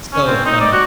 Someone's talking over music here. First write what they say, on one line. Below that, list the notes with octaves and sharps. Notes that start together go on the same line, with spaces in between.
So funny.
C#4
C4
D#4
D5
F#4